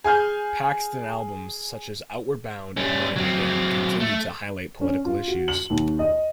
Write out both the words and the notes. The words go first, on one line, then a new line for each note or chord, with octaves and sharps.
Paxton albums such as "Outward Bound" and "Morning Again" continued to highlight political issues.
G#4 G#5 F6 G6
G3 C#4
F#3 C4
A3
C#4
F4
F#4
F#7
D#2
D#5